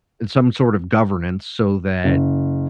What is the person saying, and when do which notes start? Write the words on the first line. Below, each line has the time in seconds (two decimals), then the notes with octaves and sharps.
and some sort of governance so that,
2.04 F#1